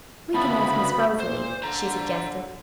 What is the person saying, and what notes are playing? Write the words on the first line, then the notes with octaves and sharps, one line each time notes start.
"We can ask Miss Rosalie," she suggested.
D2 C#3 A3 B3 B5
A#2 C5
D3 C5 A#5